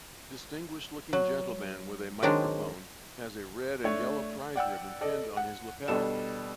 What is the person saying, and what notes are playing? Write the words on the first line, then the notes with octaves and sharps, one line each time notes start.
Distinguished looking gentleman with a microphone has a red and yellow prize ribbon pinned on his lapel.
F#3
D#3 F#3 G#3 C4 D4 A#5
A3 D4 C#5
D5 F#5 G5 E6
A4 D5 D#5
F#5
B2 G3 D4 A4 E7